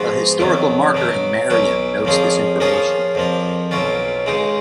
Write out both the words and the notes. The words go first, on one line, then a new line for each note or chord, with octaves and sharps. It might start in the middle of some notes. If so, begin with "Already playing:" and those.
A historical marker in Marion notes this information.
Already playing: G#2 F3 B3 F#4 B4
F2 D#3 F#3 B3
B2 F#3 B3
B1 B2 F#3 C#4
F2 F3 A#3 C#4 G#4
F3 A#3 C#4 F4 G#4
F2 F3 A#3
B1 B2 F#3 C#4 F4
C#2 C#3 G#3 D#4